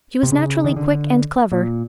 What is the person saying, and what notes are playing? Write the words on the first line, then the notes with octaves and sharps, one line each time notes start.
She was naturally quick and clever.
C3
C#3
D#3
D3
A#2